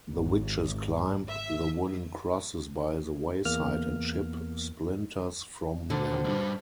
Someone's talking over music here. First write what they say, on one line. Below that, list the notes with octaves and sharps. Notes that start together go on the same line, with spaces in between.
The witches climb the wooden crosses by the wayside and chip splinters from them.
G#1
E5
E2 A#3 F6
A#2 D3 C4 F#4 C5
B1 G2